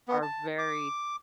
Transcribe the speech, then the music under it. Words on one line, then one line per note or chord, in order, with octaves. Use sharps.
are very,
B3
A5
D6